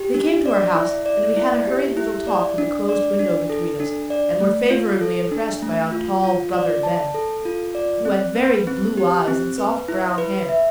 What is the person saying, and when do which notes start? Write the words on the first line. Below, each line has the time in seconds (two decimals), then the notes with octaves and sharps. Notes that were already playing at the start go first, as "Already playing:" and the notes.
They came to our house, and we had a hurried little talk with a closed window between us, and were favorably impressed by our tall "Brother Ben," who had very blue eyes and soft brown hair.
Already playing: G4
0.14 D4
0.46 D5
0.75 E4
1.06 D5
1.37 E4
1.67 G4
1.97 E4
2.27 D5
2.58 D4
2.89 D5
3.19 D4
3.50 A4
3.80 D4
4.10 D5
4.40 A3
4.70 F4
5.01 A4
5.31 D4
5.62 A3
5.92 F4
6.24 F4
6.54 D5
6.83 A5
7.14 A4
7.45 F4
7.75 D5
8.05 C4
8.36 B4
8.67 C4
8.97 G4
9.28 C4
9.58 B4
9.88 E4
10.18 B4
10.49 E5